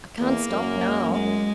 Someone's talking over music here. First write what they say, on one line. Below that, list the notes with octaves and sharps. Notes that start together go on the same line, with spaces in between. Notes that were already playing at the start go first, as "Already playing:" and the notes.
"I can't stop now."
E2 A#3
F#2
G#3